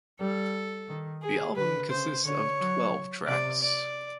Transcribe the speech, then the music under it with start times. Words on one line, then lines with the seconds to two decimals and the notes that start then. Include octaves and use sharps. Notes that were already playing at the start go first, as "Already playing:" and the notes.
The album consists of twelve tracks.
0.20 G3 A4
0.88 D#3
1.22 G#4
1.56 D3 B4
1.91 C#3 C5
2.25 D3 C#5
2.60 F#3
3.27 C3 D5
3.62 D5